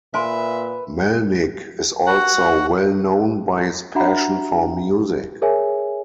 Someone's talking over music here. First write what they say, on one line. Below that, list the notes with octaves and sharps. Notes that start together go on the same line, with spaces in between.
Melnick is also well known by his passion for music.
A#2 B4 C5 E5 G#5 C6
F#4 F#5
D4 F#4 E5 F#5 A#5 B5
G#4 A#4 C#5 E5 G#5